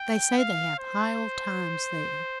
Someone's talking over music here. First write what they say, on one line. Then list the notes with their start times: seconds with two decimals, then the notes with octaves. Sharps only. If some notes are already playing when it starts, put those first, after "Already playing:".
They say they have high old times there.
Already playing: G5
0.38 F5
0.79 C5